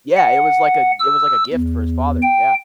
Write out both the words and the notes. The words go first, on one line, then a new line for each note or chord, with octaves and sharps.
Yeah, it was like a it was like a gift for his father, yeah.
F#5
E6
E2
G5